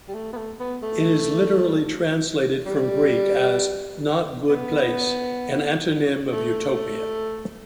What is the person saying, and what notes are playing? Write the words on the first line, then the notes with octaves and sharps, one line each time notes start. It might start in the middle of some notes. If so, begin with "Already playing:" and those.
It is literally translated from Greek as "not-good place", an antonym of "utopia".
G3
A3
B3
A3
B3
A3
G3
B3
A3